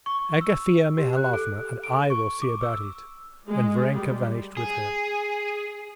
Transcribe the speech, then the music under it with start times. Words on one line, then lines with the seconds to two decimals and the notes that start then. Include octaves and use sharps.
"Agafea Mihalovna and I will see about it," and Varenka vanished with her.
0.06 C#6
0.41 E6
0.98 G4
1.16 F#6
1.33 A4
1.84 D7
2.10 C#6
2.42 D6
2.63 E6
3.48 G#3
3.93 G3
4.57 G#4